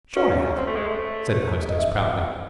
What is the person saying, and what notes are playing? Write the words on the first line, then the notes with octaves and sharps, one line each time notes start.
"Sure I have," said the hostess proudly.
C#4 C#5
C4
A3
G#3
A3
D#5
E5